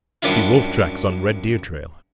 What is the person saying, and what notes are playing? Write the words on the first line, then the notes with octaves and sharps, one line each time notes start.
See wolf-tracks on red deer trail.
F#2 F3 G3 D4 E4 F4